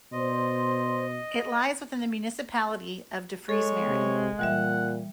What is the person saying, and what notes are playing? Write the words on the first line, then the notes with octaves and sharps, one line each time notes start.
It lies within the municipality of De Friese Meren.
B2 C5 D5 D#5 C6
G#3 A4 C#5
C3
A#2 E3 G3 E5 F#5